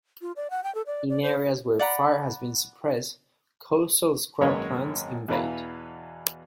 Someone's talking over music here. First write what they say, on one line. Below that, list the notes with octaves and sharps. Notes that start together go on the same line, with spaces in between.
In areas where fire has been suppressed, coastal scrub plants invade.
F4
D5
F#5
G5
A4
D5
D5
C5
D5 F#5 A#5 B5
G#1 F#2 G#3 A#3 B4 C#5
E2 B2 E3 F5 A#5 B5